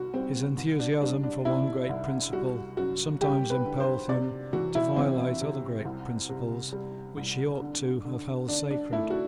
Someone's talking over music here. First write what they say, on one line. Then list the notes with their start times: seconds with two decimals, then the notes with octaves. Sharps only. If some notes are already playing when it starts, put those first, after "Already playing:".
His enthusiasm for one great principle sometimes impelled him to violate other great principles which he ought to have held sacred.
Already playing: C2 F#4
0.14 G3 C4
0.57 C2
0.80 D4
1.01 G3 D4
1.23 D4
1.45 C3 E4
1.89 C2
2.33 G3 F#4
2.77 F#2 F#4
3.21 G3 G4
3.50 B4
3.65 D3
3.80 C5
4.09 C3 D5
4.53 E3 F#4
4.75 E4
4.96 E3 C4
5.41 C3
5.85 C2
6.29 C3
6.73 G3
7.17 C2
7.61 D3
8.05 D3
8.48 D3 D4
8.70 D4
8.92 A3 E4
9.10 F#4